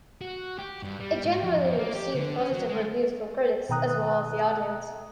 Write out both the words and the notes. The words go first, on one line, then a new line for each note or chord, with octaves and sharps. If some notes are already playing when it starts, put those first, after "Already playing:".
It generally received positive reviews from critics as well as the audience.
F#4
G4
G2
G3
G#2
F2
A#3
G4
D3
C#4
F#3
G#3
B2 D#3 G5 A#5 D#6 F#6